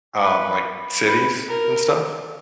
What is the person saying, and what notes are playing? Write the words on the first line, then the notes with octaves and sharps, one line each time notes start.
um, like, cities and stuff
B4
B4
A#4